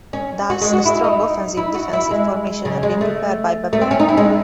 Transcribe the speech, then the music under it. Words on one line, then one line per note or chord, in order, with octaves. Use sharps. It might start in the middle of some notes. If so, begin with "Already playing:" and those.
Thus, a strong offensive-defensive formation had been prepared by Babur.
C#4
F#4
G#3
F#4
E4
D#4
E4
F#4
E4
G#3
C#3
G#3
A3
A3
C4
C#4
D#4
E4
G#3